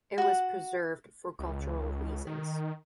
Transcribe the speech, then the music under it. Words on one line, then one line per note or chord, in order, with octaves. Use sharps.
It was preserved for cultural reasons.
F#4 F#5
C#2
D#3